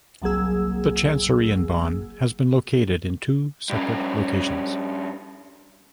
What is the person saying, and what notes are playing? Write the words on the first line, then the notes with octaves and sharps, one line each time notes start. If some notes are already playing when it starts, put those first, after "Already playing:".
The chancery in Bonn has been located in two separate locations.
G1 C2 F#3 A#3 G#4 E6
G2 C#4